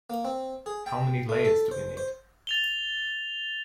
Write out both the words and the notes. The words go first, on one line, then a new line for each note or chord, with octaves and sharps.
How many layers do we need?
A#3
C4
G#4
G5
A3
A4
C5
C5
A6 F7 G7